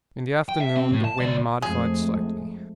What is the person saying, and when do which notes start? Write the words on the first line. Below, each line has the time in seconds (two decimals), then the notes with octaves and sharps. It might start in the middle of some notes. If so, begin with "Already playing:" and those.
In the afternoon the wind modified slightly.
0.49 G5
0.60 E5
0.77 C4
0.92 A2
1.05 A5
1.20 C#2 D5
1.62 F2 G#3 A3 G#4